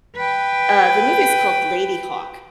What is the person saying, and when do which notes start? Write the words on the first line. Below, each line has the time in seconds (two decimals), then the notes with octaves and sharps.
uh, the movie's called Ladyhawke.
0.16 B4 G5